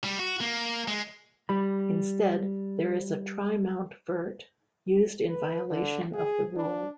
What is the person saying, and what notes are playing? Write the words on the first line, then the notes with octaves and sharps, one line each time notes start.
Instead, there is a trimount vert used in violation of the rule.
G3
F#4
A#3
G#3
G3 B5
B4
D3
G#4
D4